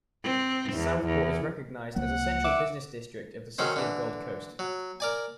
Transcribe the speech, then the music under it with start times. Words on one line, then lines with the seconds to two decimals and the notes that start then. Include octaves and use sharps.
Southport is recognised as the central business district of the City of Gold Coast.
0.24 C4
0.73 E2
1.06 E2
1.96 C#2 F#3 A#3 F#5
2.44 E5 D6
3.58 D#3 F#3 C#4 C5
3.76 D3 E3
4.59 F#3
5.00 A#4 D5 G#5